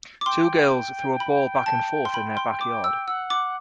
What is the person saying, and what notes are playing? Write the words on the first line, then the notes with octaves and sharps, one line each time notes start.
Two girls throw a ball back and forth in their backyard.
D6
G5 C6
B5
A5
C6
B5
C6
D6
E6
F#5 E6
D6